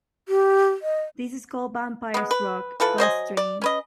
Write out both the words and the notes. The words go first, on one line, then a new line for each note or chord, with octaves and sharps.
This is called Vampires Rock: Ghost Train!
G4
D#5
G#3 B3
B4
E3 F4 A4 B4
F#3 C5 D#5 G#5
D5
C#4 B4 D#5